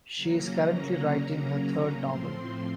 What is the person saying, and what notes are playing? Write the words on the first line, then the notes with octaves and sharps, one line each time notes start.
She is currently writing her third novel.
C#3 F#3 A#3 C#4 A#5
A2 F3 C4 C6